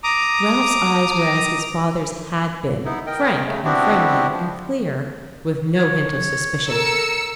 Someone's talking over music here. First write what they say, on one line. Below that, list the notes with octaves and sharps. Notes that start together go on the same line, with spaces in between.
Ralph's eyes were as his father's had been--frank and friendly and clear, with no hint of suspicion.
A#5 D6 D#6
B3 D#4 E4
A#4 D#5 G5
C#3 A3
B3 C4 D4 E4 F#4 G4
F3
C#5
A4 A#4 E6 C#7